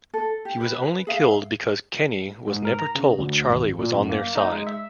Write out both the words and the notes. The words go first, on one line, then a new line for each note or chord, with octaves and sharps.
He was only killed because Kenny was never told Charlie was on their side.
A4
G4
B4
G#4 E5 F5
G#2
A#4
A#5
C#3
D2
G#1
A#2
F#2
A#3
D#4
G#3
E5